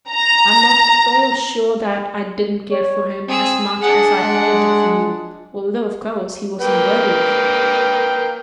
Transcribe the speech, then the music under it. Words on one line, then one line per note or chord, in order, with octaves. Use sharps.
I am not at all sure that I didn't care for him as much as I ever did for you, although, of course, he wasn't worthy of it.
A#5
C#5
C4 G#4 E6
D4 G#4 F#5
G#3
A#3 B4 G5